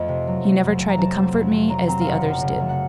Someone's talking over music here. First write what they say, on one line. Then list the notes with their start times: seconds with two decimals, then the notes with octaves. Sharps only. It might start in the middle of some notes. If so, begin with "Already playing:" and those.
He never tried to comfort me as the others did.
Already playing: F2 A3 D#5
0.08 C3
0.27 F#3
0.44 A3
0.63 F2
0.80 C3
0.89 A#5
0.98 F#3 A5
1.16 C4
1.34 F2
1.52 C3
1.69 F#3 A#5
1.87 C4 A#5
2.01 F5
2.06 F#1 F#5
2.23 F#2
2.41 C#3
2.59 A3
2.69 F#5